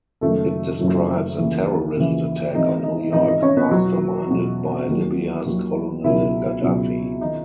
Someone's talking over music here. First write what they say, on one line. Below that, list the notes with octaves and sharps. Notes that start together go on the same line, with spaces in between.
It describes a terrorist attack on New York masterminded by Libya's Colonel Gaddafi.
F#1 F#2 D#3 F#3 A3 A4
F#1 F#2 D#3 F#3
D#2 C#3 E3
D#2 C#3 E3
G#1 G#2 E3 D#4 D#5
D#4 D#5
G#1 G#2 E3 D#4 D#5
D#4 D#5
C#4 C#5
B3 B4
E2 B2 F#3 F#4
E2 B2 F#3
D#2 D#3 F#3
D#2 D#3 F#3
C#2 B2 F#3 E4
C#2 B2 F#3
D#3 D#4